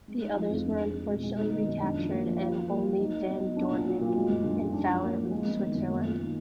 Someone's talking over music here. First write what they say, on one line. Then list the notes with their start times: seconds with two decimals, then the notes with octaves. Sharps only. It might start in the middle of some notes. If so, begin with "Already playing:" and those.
The others were unfortunately recaptured and only van Doorninck and Fowler reached Switzerland.
0.08 G#3
0.22 D#4
0.36 F3
0.50 F2
0.65 D4
0.80 G#4
0.94 G#3
1.09 B2
1.23 G#3
1.39 D#4
1.53 D#3
1.67 F#2
1.83 D4
1.97 F3
2.11 A#3
2.25 F3
2.41 F4
2.55 F#3
2.69 A#3
2.83 F#3
2.99 D#4
3.13 F#3
3.28 B3
3.42 F#3
3.57 D4
3.71 A#2
3.86 F#3
4.01 A#2
4.15 G#3
4.30 F#2
4.44 D3
4.58 F#2
4.73 D4
4.88 F3
5.03 A#3
5.17 F3
5.31 G#3
5.46 B3
5.61 D#3
5.75 F#2
5.89 A#3
6.05 F4
6.19 D#3